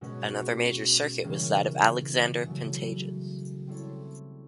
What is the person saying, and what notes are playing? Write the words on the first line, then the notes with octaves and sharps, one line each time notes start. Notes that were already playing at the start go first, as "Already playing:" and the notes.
Another major circuit was that of Alexander Pantages.
B2 G#3 C#4 F#4 B4
C#3 E3 G3 A#3 C#4
C#3 F#3 A3
G3 C4 E4 A4 C#5